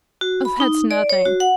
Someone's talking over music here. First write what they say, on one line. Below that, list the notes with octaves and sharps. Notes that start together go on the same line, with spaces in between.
"Oh, that's nothing."
F#4
B5
D#4
D5
C#5
F#4
F#5